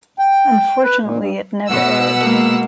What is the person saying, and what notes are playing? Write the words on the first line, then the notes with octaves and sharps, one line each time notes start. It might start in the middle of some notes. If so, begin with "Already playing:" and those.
Unfortunately it never aired.
G5
B4
A#2
G2
B2 F#5 E6
G#3 A#3